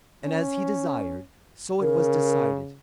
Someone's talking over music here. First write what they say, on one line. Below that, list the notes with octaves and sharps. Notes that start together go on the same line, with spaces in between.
And as he desired, so it was decided.
C#4
C#3 A#4